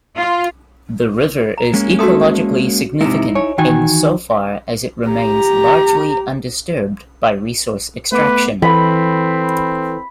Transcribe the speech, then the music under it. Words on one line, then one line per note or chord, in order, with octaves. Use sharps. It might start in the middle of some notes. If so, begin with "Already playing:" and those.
The river is ecologically significant insofar as it remains largely undisturbed by resource extraction.
F4
A#5
G#3 A#3 C#4
A3 F#4 A4 C6 D#6
G#2 C3 D#4 E4
C#5 G#5
D#3 E3 F#4 G5 G#5
G4 A#5
A3 B3 B4 D6
E3 C4 E4 A4 B4 B5